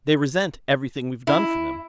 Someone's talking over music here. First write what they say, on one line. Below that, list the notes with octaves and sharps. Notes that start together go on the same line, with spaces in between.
"They resent everything we've done for them."
E4